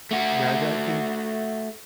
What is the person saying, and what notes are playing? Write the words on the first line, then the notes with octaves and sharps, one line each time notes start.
yeah, th I I think
A3 F#4